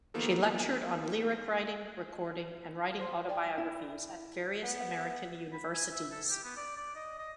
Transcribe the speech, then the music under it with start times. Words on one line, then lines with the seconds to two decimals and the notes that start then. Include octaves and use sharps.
She lectured on lyric writing, recording, and writing autobiographies at various American universities.
0.14 D#3 F3 A#3 B3 G4 A4
2.99 C5 C6
3.29 D5 G5
3.58 E4
4.63 B3
5.52 B5
5.73 G#5
5.91 E5
6.11 A4
6.29 G4
6.43 B3
6.57 D5
6.77 D5
6.95 D#5
7.18 D#5